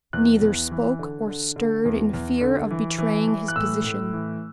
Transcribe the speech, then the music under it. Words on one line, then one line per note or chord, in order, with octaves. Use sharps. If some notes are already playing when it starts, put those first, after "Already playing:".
Neither spoke or stirred in fear of betraying his position.
E2 F#6
E2
E3
D3
D3
D3
E2
E2
D3
E3
E3
E3
F#6
A2 E6
A2
E3